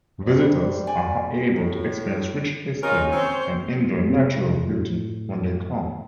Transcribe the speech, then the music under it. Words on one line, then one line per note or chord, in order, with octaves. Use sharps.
Visitors are able to experience rich history and enjoy natural beauty when they come.
G3 C5
D5 G#5
A2
C#4 D#4 F4 A#4
C4 C5 C#5
C3
A2